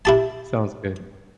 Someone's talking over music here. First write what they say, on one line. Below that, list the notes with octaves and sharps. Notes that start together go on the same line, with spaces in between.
Sounds good.
E4 G4 A5